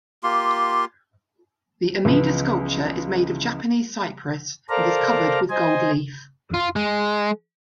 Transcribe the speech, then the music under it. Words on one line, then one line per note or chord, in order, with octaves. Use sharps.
The Amida sculpture is made of Japanese cypress and is covered with gold leaf.
A#3 F4 G4 C6
C#2 E3 F3 B3
A4 A#4 C5 D5 F5 A#5
C5 D#5 G#5
F4
G#3